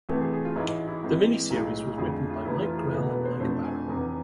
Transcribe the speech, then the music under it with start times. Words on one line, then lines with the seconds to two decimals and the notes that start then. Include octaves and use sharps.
The mini-series was written by Mike Grell and Mike Baron.
0.09 E2 C3 E3 A3 C4 A4
0.21 G#4
0.33 G#4
0.45 F4
0.56 A1 G#2 G#3 E4
0.88 E4
1.04 G#2 E3 G#3 C4
1.50 B1 A2 G#3
1.98 F2 D3 A3 G#4
2.30 F4
2.45 F1 F2 E3 A3 E4
2.61 F4
2.77 G#4
2.92 E1 E2 B2 A3 A4
3.09 B4
3.25 C5
3.40 F2 C3 F3 A3 D4 C5
3.64 G#5
3.87 F1 E2 C3